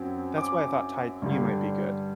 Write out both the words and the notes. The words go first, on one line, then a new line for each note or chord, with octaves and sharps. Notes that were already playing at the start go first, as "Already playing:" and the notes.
That's why I thought Tai Chi might be good.
Already playing: F#2 F#3 C4
D6
G2 D3 G3